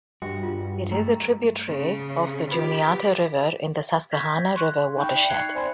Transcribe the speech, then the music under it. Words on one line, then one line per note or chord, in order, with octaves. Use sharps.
It is a tributary of the Juniata River in the Susquehanna River watershed.
G2 G3 F#4 G5
F4
A3 G5 A#5
C#3
F4 G4 B4 B5
C#6 F6 G6 G#6 A#6 B6
C6 C#6 F#6
D#4 G5 B5 C#6 G6
D5 E5 G5 F#7
F#6 G#6 C7 C#7 F7
C5 D5 E5 G#5 B5 C6